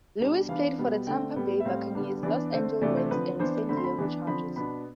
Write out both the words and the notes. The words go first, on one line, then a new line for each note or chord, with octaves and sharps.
Lewis played for the Tampa Bay Buccaneers, Los Angeles Rams and San Diego Chargers.
B2 G3 D4
E3 B3 D4 F5
B2 G3 B3
D3 A3 C4 G5
A2 G3 B3
E5
A2 G3 C4 F5
D3 G3 B3 D4
E3 B3 D4 D5
D3 A3 C4 C5
C3 E3 A3 D4 D5
C5
D3 F3 C4 B4
E3 B3 D4 C5
D3 A3 C4 B5
C6
B5
E3 B3 D4
D3 F3 C4 B5
B2 B3 D4 B5